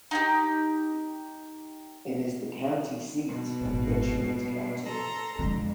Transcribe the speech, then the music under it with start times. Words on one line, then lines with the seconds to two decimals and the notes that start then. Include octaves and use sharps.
It is the county seat of Richmond County.
0.11 D#4 F#4 G4
3.27 B2
3.61 G#1 A#2
4.08 A#3
4.85 A4 A#5 C6
5.39 F2 D3 G#3